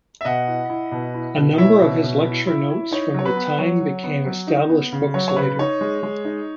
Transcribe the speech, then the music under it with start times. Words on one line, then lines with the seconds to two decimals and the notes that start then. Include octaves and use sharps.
A number of his lecture notes from the time became established books later.
0.21 E5
0.25 B2 D#5 F#5
0.48 E4
0.70 E4
0.92 B2
1.14 E4
1.37 B2
1.58 E4 C#5 E5
1.81 B2
2.03 B2
2.25 E4
2.47 E4
2.70 E4
2.91 D#4 C#5
3.14 F#3 C#5
3.25 B4
3.36 B3
3.58 F#3 C#5
3.81 F#3
4.04 B3
4.26 F#3
4.47 D#4
4.69 B3
4.92 C#3
5.14 F#3 C#5
5.28 C#5
5.36 C#3 B4
5.59 D#4 C#5
5.81 G#3
6.03 G#3
6.25 D#4